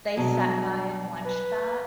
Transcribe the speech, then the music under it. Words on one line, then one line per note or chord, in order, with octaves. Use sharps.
they sat by and watched that,
G2 B2 F#3
B4